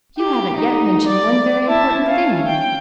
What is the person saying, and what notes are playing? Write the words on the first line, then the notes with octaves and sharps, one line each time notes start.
You haven't yet mentioned one very important thing.
G4
D#4
D5
E4 A5
C#4 F5
G5